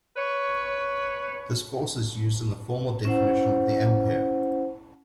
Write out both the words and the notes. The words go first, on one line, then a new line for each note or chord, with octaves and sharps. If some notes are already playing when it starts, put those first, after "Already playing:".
This force is used in the formal definition of the ampere.
B4 C#5
C#4 E4 C5 F#5